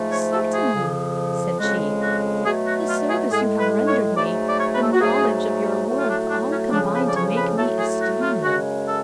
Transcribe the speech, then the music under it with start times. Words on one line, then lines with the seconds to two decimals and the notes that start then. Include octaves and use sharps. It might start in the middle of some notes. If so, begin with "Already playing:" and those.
"Certainly," said she, "the service you have rendered me, the knowledge of your worth, all combine to make me esteem you."
Already playing: G#2 F3 A3
0.10 C#5
0.30 A4
0.53 G#4
0.74 F2 C#3 F3
1.59 F2 C#3 G#3 F#4
2.02 F#4
2.44 B2 F#3 A3 G#4
2.66 F#4
2.87 F4
3.08 G#4
3.30 A2 G#3 G#4
3.58 B4
3.87 C#5
4.15 G#2 F#3 A3 D5
4.48 D5
4.58 C#5
4.74 B4
4.80 A4
4.93 F#4
5.00 G#2 F#3 A3 G#4
5.86 A2 F#3 A3
5.97 F4
6.07 D4
6.29 D4
6.50 C#4
6.71 F2 C#3 F3 D4
6.93 B4
7.07 D5
7.15 C#5
7.36 B4
7.57 A2 F#3 A3 A4
7.78 G#4
8.00 F#4
8.21 F4
8.42 F#2 C#3 G#3 F#4
8.86 A4